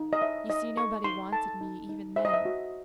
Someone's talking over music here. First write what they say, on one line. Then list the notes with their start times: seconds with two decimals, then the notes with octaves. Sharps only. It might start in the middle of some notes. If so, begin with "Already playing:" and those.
You see, nobody wanted me even then.
Already playing: D#4
0.13 D#5
0.21 C#5 E5
0.50 D#4 D#5
0.77 A4 C#6
1.04 D#4 C6
1.33 A4 A5
1.61 D#4
1.89 D#4
2.16 C5 E5
2.25 D#5
2.34 E5
2.45 F#4